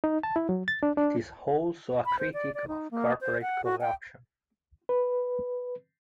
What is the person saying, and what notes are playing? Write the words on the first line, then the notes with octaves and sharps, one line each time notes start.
It is also a critique of corporate corruption.
D#4
A5
E4
F#3
A6
D4
D4
B5
C5
D5
D5
D#4
A#3
C5
F#5
F#4
G5
B4